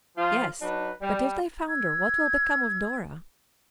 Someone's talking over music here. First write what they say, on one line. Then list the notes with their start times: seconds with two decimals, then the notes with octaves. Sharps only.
"Yes; but if they founder, what will become of Dora?"
0.17 F3 F4
0.61 F#3 D4 D#4 B4
1.02 G3
1.67 E6 G#6